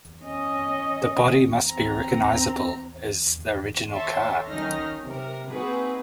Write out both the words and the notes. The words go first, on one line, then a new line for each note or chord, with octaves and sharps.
The body must be recognizable as the original car.
C#4 D#5
C4 A#5
A4 C#5 E5 A5 C6
D#3 F#3 C#4 D#4 F6 A#6
C3 A#4
A#3 C4 D#4 F#4 G#4 B4